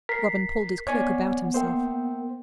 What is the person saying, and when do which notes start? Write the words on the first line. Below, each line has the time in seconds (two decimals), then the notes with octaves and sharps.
Robin pulled his cloak about himself.
0.09 A#4 B6 C7
0.87 B3 C#5 D5 G#5
1.54 A#3 A#4 C5 G5